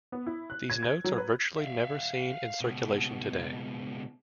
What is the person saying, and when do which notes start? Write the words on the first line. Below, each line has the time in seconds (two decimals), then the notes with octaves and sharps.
These notes are virtually never seen in circulation today.
0.12 B3
0.27 E4
0.50 F#6
0.70 G#6
0.83 G#6
1.04 F#3
1.18 B4
1.57 E5 F5
2.61 C#2 B2